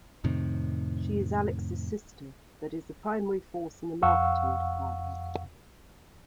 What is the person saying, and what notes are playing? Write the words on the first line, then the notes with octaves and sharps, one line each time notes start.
She is Alex's sister, but is a primary force in the Marketing Department.
F2 A2 C3 D#3
F2 F5 F#5 C#6 E6